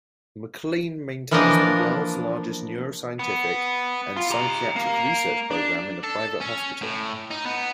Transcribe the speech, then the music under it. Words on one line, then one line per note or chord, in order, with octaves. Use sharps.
McLean maintains the world's largest neuroscientific and psychiatric research program in a private hospital.
E3 F3 A#3 D4 A#4 D#5
B3
F4
G4 A#5
A#3
D4
A4
C#4
A2
D#4
B3